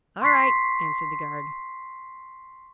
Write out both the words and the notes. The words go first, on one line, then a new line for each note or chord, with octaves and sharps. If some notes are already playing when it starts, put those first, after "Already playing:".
"All right," answered the guard.
C6 C#6 B6 C7